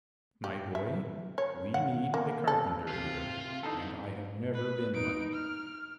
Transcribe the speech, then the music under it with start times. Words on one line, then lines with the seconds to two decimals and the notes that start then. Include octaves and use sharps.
"My boy, we need a carpenter here and I have never been one."
0.44 G4
0.75 E5
1.38 C#5
1.74 F#5
2.14 A#3
2.48 A4
2.89 C3 F4
3.63 D3 E3 D#4 A4
4.54 B4
4.94 D#4 D7
5.34 F6